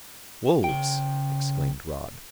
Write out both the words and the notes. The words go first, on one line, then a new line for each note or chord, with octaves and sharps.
"Wolves!" exclaimed Rod.
C#3 G5